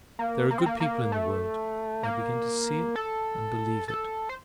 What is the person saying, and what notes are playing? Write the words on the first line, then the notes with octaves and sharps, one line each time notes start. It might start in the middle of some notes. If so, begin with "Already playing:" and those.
There are good people in the world: I begin to see it, and believe it.
A#3
A#3
C4
A#3
A#3
A3
A#3
A4
A4
C5